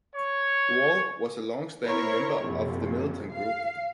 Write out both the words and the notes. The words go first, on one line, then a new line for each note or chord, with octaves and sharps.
Wall was a long-standing member of the Militant group.
C#5
E4 A#4 C5 C#5
A#1 F#2 C3
F5 C7